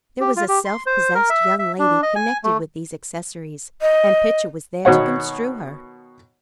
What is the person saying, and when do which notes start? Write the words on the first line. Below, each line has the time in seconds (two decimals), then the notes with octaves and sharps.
There was a self-possessed young lady connected with these accessories; and Pitcher was there to construe her.
0.20 G4
0.37 F4
0.48 G4
0.65 C6
0.86 C5
1.15 A#4
1.30 E5
1.59 E5
1.79 D4
2.03 D#5
2.16 G#5
2.44 A3
3.82 D#5
4.85 B2 D#3 C#5 F#5